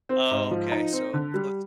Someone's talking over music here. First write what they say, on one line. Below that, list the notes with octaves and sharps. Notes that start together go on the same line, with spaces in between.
Oh, okay. So, close.
C4
G#2
F3
D#4
C4
D3
G3